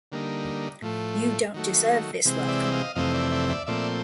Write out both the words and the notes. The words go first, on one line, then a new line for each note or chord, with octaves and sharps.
You don’t deserve this welcome.
D3 G3 A#3 D#4
A2 F3 A3
D#3 F#3 A3
C3 E3 G#3 C4
D5 E5
D#5 F5
F2 C3 E3 A3 C4 D#5 F5
D5 E5
D5 E5
D5 E5
A#2 F3 A3 C4 D5 E5